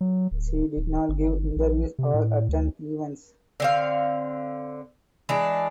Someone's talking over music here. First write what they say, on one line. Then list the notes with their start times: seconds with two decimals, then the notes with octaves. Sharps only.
She did not give interviews or attend events.
0.01 F#3
0.31 D1
0.77 D1
1.09 G1
1.56 A#1
1.99 C3
2.14 A2
2.49 D2
3.60 D3 C4 F5
5.29 E3 G#3 D4